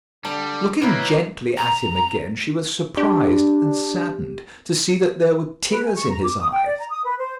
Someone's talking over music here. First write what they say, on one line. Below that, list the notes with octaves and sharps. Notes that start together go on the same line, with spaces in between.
Looking gently at him again, she was surprised and saddened to see that there were tears in his eyes.
D3 G3 A5
D#3 F#3 A#3 B3 E4 B4
A#5
D4 G4
B4
G#5
C#6
A#5
D6
D#6
G5
D5
A#5
D#6
B4
C5